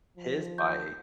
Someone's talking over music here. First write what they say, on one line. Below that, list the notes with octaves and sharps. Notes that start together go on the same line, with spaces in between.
his bike,
F3
G6